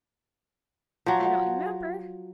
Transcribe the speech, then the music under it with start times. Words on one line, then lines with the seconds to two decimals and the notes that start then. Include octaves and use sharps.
"I don't remember."
1.06 F3 F#3